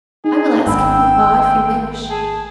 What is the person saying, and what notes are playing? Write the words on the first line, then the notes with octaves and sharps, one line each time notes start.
"I will ask him, papa, if you wish."
D#4 G#4
G#1 G#2 F#5 G5 B5 E6
G#4 A5